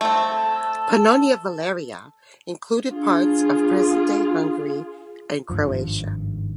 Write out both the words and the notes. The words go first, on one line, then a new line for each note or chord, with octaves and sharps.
Pannonia Valeria included parts of present-day Hungary and Croatia.
A3 C4 A4
D4 F4 G#4
G#1 C#2 G2 F3